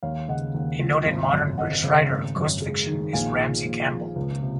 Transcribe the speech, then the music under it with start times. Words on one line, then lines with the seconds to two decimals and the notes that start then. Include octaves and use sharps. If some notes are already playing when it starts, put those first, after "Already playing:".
A noted modern British writer of ghost fiction is Ramsey Campbell.
0.03 D#2 C#5 F5
0.28 C#3 D#5 F#5
0.54 D#2
0.80 F3
1.06 G#1
1.32 F#2
1.58 G#1 D#5 F#5
1.83 C#3
2.10 G#1
2.36 F#2
2.62 G#3
2.87 D#3
3.13 A#1 F5 G#5
3.39 A#2
3.65 A#1
3.90 F3
4.16 C#2
4.42 C3